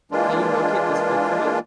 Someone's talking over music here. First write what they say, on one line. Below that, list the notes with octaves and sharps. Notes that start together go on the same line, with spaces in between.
Can you locate this book for me?
E3 G#3 A#3 D4 F4